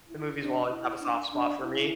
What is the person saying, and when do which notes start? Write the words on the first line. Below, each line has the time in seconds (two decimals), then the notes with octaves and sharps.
the movies will always have a soft spot for me.
0.09 E4
0.41 D4
0.71 E4
1.01 D4
1.32 D4
1.63 E4